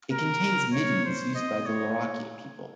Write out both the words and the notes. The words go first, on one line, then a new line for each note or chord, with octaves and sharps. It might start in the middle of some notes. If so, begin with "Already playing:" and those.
It contains middens used by the Larrakia people.
A#4
C#5
C5
D#5
C#5